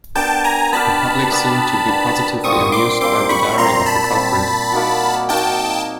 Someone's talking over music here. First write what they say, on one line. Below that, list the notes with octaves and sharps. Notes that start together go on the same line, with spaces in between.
The public seemed to be positively amused by the daring of the culprit.
B3 D4 G4 A#4 G5 A5
G#5 A#5
B3 D4 G4 A#4 A5 B5
B3 D4 G4 A#4
B3 D4 G4 A#4
A#2 G3 C4 C#6 D#6
C6 D6
A#2 G3 C4 C6 D6
B5 C#6
A#2 G3 C4 A#5 C6
A5 B5
A#2 G3 C4
A#3 D#4 F#4
A#3 D#4 F#4 G5 A5